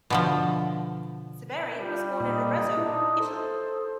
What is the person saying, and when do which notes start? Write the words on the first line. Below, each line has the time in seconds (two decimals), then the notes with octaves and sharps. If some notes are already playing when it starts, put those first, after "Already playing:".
Severi was born in Arezzo, Italy.
0.10 B2 D3 F3
1.80 G3 F4 G6
2.20 A#2 D#4 D#6
2.77 D4 E4
3.20 A4 C5